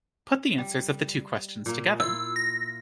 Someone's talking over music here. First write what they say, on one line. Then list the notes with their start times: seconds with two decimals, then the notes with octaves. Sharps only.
Put the answers of the two questions together.
0.58 G3
1.66 A#2 A#3
2.00 E4 F4 E6
2.36 A#6